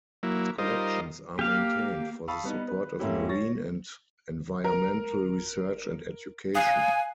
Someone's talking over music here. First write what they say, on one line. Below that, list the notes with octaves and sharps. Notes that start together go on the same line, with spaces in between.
Its collections are maintained for the support of marine and environmental research and education.
F#3 A#3 E4
G3 D#4 F4 A#4 C5 D#5
A#3 G4 F5
F5 A5 B5 C#6 D#6 E6
G3 B3 D#4
B4
G#2 A3 A#3 C#4 E4 G4
C#5 C#6 A6 A#6
A#4
F5 G#5 D#6 F#6 C7